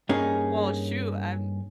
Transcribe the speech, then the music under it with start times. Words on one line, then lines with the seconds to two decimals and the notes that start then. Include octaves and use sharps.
Well, shoot. I'm
0.09 G2 A#3 C#4 D#4 G#4